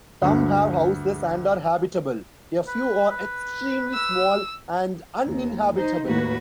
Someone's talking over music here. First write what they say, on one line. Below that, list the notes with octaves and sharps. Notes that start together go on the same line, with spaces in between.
Some have houses and are habitable; a few are extremely small and uninhabitable.
D2 G2
B4
B4
E6
D#2
D#4 C5
D#2 A2 A#3 F#4 B4